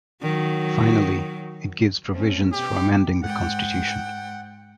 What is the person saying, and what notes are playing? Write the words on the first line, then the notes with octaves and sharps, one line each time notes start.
Finally, it gives provisions for amending the constitution.
D#3 F#3
A3 C4 C#4
B2 G4
G#2 F#5 G5